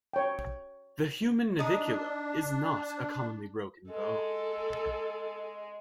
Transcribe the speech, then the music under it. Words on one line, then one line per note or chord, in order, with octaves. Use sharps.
The human navicular is not a commonly broken bone.
C#5 G5
D4 D#4 D#6
G#3 A4